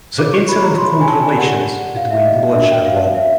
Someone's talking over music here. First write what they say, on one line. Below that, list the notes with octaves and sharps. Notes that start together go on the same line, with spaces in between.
The incident cooled relations between Lodge and Long.
F4 G#4 C#5 D6
C#6
B5
A#5
C6
B5
G#5
A5
G#5
G4 A#4 D5 F#5
F5
E5
D#5
D4 F#4 A#4 C#5 E5
G5
F5
E5